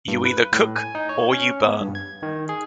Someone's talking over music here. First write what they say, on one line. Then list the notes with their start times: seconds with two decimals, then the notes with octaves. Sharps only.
You either cook or you burn.
0.08 G2
0.25 B4
0.52 A2
0.76 G#5
0.95 D#4
1.09 C#5
1.33 C#4
1.63 B3
1.82 G2
1.95 G#6
2.23 D#3
2.49 G#4